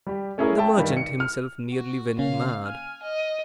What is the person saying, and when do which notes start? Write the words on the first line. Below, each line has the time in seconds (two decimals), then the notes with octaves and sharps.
The merchant himself nearly went mad.
0.07 G3 G4
0.38 A3 C#4 E4 G#4 A#4
0.57 E5 G5 A5
0.78 G2 D#3 G3
0.97 C#7
1.20 F6
1.72 F#4
2.19 C#3 A#3 C#4 F5
2.66 G#5 F6
3.03 D#5